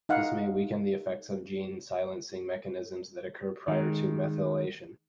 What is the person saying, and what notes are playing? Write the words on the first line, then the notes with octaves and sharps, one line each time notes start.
This may weaken the effects of gene silencing mechanisms that occur prior to methylation.
D#4 F5 F#5
D#3 G#3